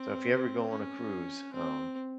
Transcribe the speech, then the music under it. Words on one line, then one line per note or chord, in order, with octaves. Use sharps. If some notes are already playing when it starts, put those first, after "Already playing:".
So, if you ever go on a cruise, um,
Already playing: C4
C#4
C4